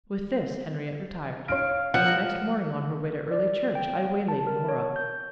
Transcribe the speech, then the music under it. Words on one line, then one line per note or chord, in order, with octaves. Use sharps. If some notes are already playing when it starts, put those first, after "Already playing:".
With this Henriette retired and the next morning on her way to early church I waylaid Norah.
C#5 F5 D7
F3 F#5
A#4
D5
G5
A5
A#4
C#5
G6